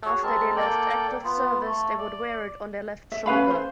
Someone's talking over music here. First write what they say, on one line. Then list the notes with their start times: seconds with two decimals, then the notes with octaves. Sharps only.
After they left active service, they would wear it on their left shoulder.
0.05 F#4 G#4 C#5
0.23 G#3 C4 A#4 A5
0.56 A#3 A4 D5 G5
1.24 B3 F4
1.65 A3 A4
1.98 D5
3.12 E5
3.26 C#4 B4 F5 B5
3.50 C5